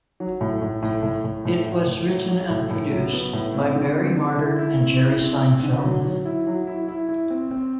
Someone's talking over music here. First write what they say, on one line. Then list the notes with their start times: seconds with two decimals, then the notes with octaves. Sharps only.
It was written and produced by Barry Marder and Jerry Seinfeld.
0.20 F#3
0.41 A2
0.62 A2
0.82 A2
1.03 A2
1.24 A2
1.45 A2
1.66 A2
1.87 A2
2.08 F#3
2.29 F#3
2.50 A2
2.71 A2
2.91 F#3
3.12 B3
3.33 A2
3.54 C4
3.75 D3
3.96 C4
4.16 D3
4.38 E4
4.58 E4
4.79 C4
5.00 E4
5.21 C4
5.42 C4
5.63 D3
5.84 F#3
6.05 F#3
6.25 E4
6.47 F#3
6.67 E4
6.88 E4
7.09 E4
7.30 C4
7.51 C4